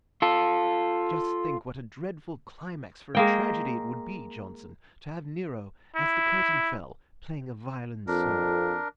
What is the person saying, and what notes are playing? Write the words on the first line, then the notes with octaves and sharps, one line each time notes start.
"Just think what a dreadful climax for a tragedy it would be, Johnson, to have Nero, as the curtain fell, playing a violin solo."
F4 A4
G#3 A#3 G5
E4
F2 D4 A#4